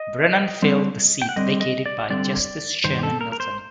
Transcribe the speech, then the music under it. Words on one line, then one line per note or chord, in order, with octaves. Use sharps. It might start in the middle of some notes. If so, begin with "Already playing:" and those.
Brennan filled the seat vacated by Justice Sherman Minton.
Already playing: D#5
D3 G3 C4
G5
F#5
D3 G3 C4 D#5
D#5
D5
D3 G3 C4 D5
G2 D#3 C5
G4
A4
A#4
A#4
C5